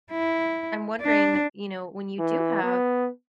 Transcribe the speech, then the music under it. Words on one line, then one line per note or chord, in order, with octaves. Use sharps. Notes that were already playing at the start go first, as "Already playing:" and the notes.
I'm wondering, you know, when you do have
E4
D4
E3
B3